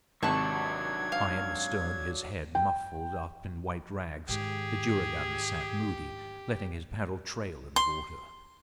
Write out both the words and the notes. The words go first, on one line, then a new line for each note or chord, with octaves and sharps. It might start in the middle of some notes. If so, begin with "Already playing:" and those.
High in the stern, his head muffled up in white rags, the juragan sat moody, letting his paddle trail in the water.
G#1 C3 F#3 D4 B4 A5 C#6 G#6
F5
G5
G#2 D#3 G4 G#4
C6